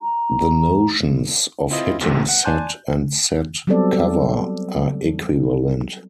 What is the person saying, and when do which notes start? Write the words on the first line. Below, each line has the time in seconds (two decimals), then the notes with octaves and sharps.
The notions of hitting set and set cover are equivalent.
0.02 A#5
1.70 C4 E4 F4 D#5
2.01 A1 D2 G#2 C3 A3
2.28 F#5
2.44 D5 G#5 A5 C6 F#6 G6
3.67 F#3 G3 B3 C4 A4 D5